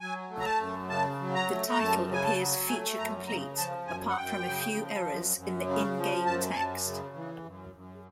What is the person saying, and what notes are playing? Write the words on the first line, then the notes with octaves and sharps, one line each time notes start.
The title appears feature-complete, apart from a few errors in the in-game text.
F#3 G#5
A3
A#5
A5
F#2
C#3 A5
F#3
A#5
A3
A#5
F#2 A5
C#3 G#5
A5
F#3
A3 G#5
F#2 A#5
C#3 A#5
F3 A5
F#2 G#5
F#5
F#2 G5
C#3
F3
F#2
F#2
C#3
F3
F#2 A5
G#5
F#2 A5
C#3
E3
F#2
F#2